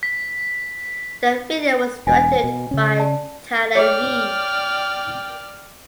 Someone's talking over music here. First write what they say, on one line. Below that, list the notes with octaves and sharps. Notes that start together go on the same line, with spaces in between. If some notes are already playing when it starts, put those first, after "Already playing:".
The video was directed by Tyler Yee.
B6
E1 G#5
B2
C#3 C#4
D5 A5
G#4 C#5 D5 G5 F6